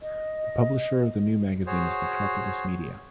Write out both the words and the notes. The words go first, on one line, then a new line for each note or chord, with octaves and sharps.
The publisher of the new magazine is Metropolis Media.
D#5
F#4 G#4 C5 C#5